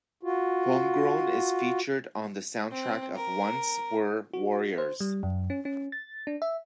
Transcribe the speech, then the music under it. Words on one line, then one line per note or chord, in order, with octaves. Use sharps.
"Homegrown" is featured on the soundtrack of "Once Were Warriors".
F4 F#4
C4
A#4
F#4
C5
G3
F#2
C#4
C#4
A6
D4
E5